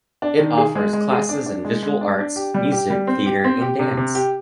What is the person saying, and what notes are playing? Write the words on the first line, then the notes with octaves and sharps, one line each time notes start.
It offers classes in visual arts, music, theater and dance.
D4
D#3
G#4
G#3
G#3
G#4
D4
D4
G#3
G#3
D4
D4
G4
G3
G4
G3
C4
G4
C4
G4
C3
C3
G4